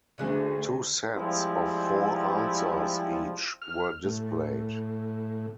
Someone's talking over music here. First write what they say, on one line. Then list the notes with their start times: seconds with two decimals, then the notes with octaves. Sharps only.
Two sets of four answers each were displayed.
0.18 D2 C#3 D4 G#4
1.14 F3 G3 G#3 C4 E4
3.62 F6
4.04 A2